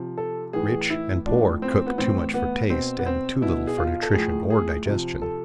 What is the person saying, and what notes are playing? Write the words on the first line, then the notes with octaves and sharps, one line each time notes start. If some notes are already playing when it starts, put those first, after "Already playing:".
Rich and poor cook too much for taste and too little for nutrition or digestion.
Already playing: C3 F3
A4
A2 E3 G#4
E4
A2 F3 D4
C4
B3
A2 E3 C4
B3
B2 C4
B3
C4
B2 E4
G#4
F4
A4
A2 F3 G#4
G#4
C3 F3
A4